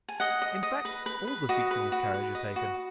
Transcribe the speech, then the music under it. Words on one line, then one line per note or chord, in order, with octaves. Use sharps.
"In fact, all the seats in this carriage are taken."
G#5
D#5 F#5
D#5
D#5
B4
B4
B4
F#4 D#5
B4
F#4
B4
D#5
F#4